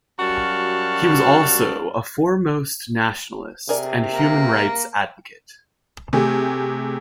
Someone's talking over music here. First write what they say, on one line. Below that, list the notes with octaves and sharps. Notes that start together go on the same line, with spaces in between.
He was also a foremost nationalist and human rights advocate.
F#2 G3 F#4 F5 A5
C3 G#4 A#4 D5
A#3
C3 A3 G4 G#4